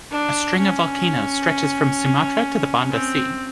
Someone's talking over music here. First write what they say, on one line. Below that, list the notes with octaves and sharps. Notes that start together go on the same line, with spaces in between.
A string of volcanoes stretches from Sumatra to the Banda Sea.
D4
C#4
C4